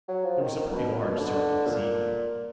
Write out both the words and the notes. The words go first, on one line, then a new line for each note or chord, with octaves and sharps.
There was a pretty large circle this evening.
F#3
F3
D#3
D#3
A#2
B2
A#2
B2
D3
A#2